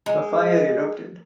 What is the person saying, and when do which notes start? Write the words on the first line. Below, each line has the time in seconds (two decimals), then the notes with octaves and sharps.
A fire erupted.
0.06 G#3